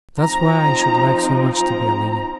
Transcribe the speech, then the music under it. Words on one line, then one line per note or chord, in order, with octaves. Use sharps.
That's why I should like so much to be a lady.
F3 C4 D#4 A#5
A#5